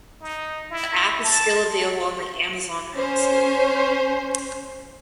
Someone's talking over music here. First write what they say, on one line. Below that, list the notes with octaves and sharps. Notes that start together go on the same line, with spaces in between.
The app is still available on the Amazon Appstore.
D#4
E4
A5
C#4 C5